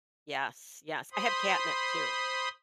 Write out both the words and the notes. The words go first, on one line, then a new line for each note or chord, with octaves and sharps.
Yes, yes. I have catnip too,
C5 B5 C6 D#6